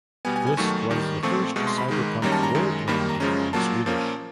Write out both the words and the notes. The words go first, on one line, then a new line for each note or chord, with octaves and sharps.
This was the first cyberpunk role-playing game in Swedish.
B2 G3 B3 G#5
G#5
G#5
D#2 D#3 F#3 A3 C#6
D#2 D#3 G3
A#2 F3 A3 C4 C#6
C2 B2 G#3 C#6
C6
B5
G#2 D#3 G#3
F#2 D#3 G3 A#3 C#4 A#5
A5
A#5
F#2 D#3 G#3
D#2 D#3 G3 A#3 B5
A#5
F#2 C#3 F3 G#3 C#4 A#5
A#2 F#3 A#3 A5
A#2 F3 A#3 C#4